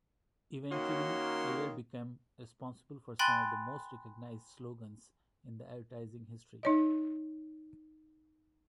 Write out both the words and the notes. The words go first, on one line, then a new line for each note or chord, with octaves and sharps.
Eventually Ayer became responsible for some of the most recognized slogans in advertising history.
D#3 A#3 C#4 F#4 C#5 C6
G5 G#5 B5 C6 F#6 A6
D#4 C#5 D#5